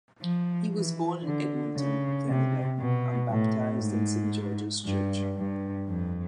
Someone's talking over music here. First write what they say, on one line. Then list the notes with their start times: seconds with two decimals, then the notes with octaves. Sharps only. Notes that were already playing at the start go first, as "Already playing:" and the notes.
He was born in Edmonton, Canada and baptized in Saint George's church.
0.21 F3
0.73 E3
1.24 D3
1.76 C#3
2.27 C3
2.79 B2
3.31 A2
3.82 G#2
4.85 G2
5.36 G2
5.88 F2